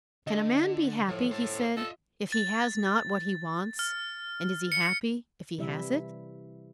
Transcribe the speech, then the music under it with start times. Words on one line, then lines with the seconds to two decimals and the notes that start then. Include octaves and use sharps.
"Can a man be happy," he said, "if he has not what he wants, and is he happy if he has it?"
0.27 D3 D#5
1.08 A2 F3
1.31 A4 C5
1.77 F4 A4 D#5 E5
2.32 A6
3.79 F6
4.72 C#7
5.58 C3 E3 G3 E4 E5